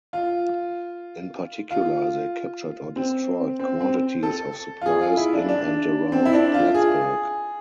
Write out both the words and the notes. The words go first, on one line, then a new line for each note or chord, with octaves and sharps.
In particular, they captured or destroyed quantities of supplies in and around Plattsburgh.
F4
F4
C4
C4
C4
A4
F4
G#4
F4
E4
D4
D4
C4
E4
D4
F4
G#4